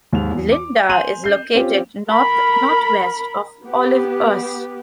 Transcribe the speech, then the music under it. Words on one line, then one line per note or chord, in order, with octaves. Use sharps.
Linda is located north-northwest of Olivehurst.
D#2 G#2 F7
E2
D6
G#5 C6 G6 D#7 F7 F#7
G6 C7
C4 C#4 F4 G4
A#4 B5
B3 G4